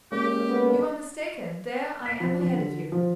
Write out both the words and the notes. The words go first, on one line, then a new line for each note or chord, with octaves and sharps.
"You are mistaken; there I am ahead of you."
G#3 A#3 C#4 G4
B3
B6
F3
F3
D3
F3